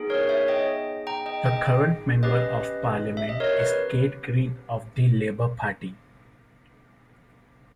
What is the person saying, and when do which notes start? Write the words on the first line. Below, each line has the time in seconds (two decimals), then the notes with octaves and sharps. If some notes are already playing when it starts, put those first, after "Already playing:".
The current Member of Parliament is Kate Green of the Labour Party.
Already playing: B3 D#4 G#4
0.10 A#4 C#5
0.29 C#5 E5
0.48 D#5 G5
1.07 G5 A#5
1.26 D#5 G5
1.45 D#5 G5
2.23 C#4 G4 B4 D#5
3.17 E5
3.29 D#5
3.40 A#4 C#5
3.59 B4